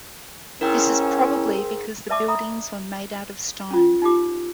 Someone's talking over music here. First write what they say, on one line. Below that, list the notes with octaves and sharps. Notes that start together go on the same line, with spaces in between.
This is probably because the buildings were made out of stone.
G#2 C#4 E4 A#4 G5 E6
B4 D5 E5 A5 C#6 D6
E5 A#5 B5 D#6
C#4 F4
D#4 F4 G4 D6